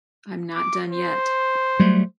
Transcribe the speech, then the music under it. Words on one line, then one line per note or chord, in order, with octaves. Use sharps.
I'm not done yet.
D6
C5
F#3 G3 A3